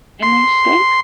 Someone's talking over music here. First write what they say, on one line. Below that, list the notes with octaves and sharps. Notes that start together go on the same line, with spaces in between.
Can they escape?
C6